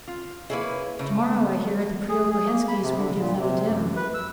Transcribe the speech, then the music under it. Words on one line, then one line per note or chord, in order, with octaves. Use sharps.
"Tomorrow, I hear, the Preobrazhenskis will give them a dinner."
F4
A#3 C#4 E4 G#4 B4
C#3 A3
G#4
G#4
A#3
B5
C3
D3
A#2
C3
F#2
B4
E6